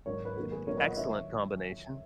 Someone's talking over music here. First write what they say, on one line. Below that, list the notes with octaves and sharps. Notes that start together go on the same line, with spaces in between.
Uh, d excellent combination.
G#1 G#2 F#3 A#4 C#5
B4
E1 D#2 D#3 F#3 F#4 A#4
G#4 B4
B1 A#2 F#3 A#4 C#5
B4 D#5
D#5 F#5
D#3 F#3 C#5 E5